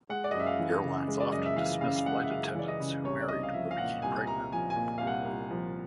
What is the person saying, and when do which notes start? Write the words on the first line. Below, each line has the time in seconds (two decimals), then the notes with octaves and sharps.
Airlines often dismissed flight attendants who married or became pregnant.
0.09 G#3 F#5
0.24 D5
0.31 D#5
0.34 F#2
0.40 E5
0.46 F5
0.59 E3
0.84 C#3
1.08 G#3
1.20 D5
1.32 F#2 D#5
1.46 E5
1.56 E3 F5
1.81 C#3 F5
1.96 F5
2.06 G#3 F#5
2.24 E5
2.30 F#2 F5
2.55 E3 D5
2.68 D#5
2.80 C#3
3.04 C2 C#5
3.21 D5
3.28 C2 D#5
3.43 F5
3.54 F3 E5
3.71 F5
3.78 A#2 F#5
4.02 C2 G#5
4.27 C2 A#5
4.52 F3 G#5
4.70 G#5
4.76 A#2
4.98 C2 F5
5.07 F#5
5.25 C2
5.51 F3